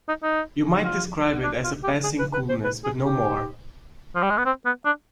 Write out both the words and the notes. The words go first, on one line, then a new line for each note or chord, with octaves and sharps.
You might describe it as a passing coolness, but no more.
D#4
D#4
F4
D4
F4
G4
G#4
B4
B4
C5
B4
G#4
G4
F3
G3
G#3
B3
C4
B3
D4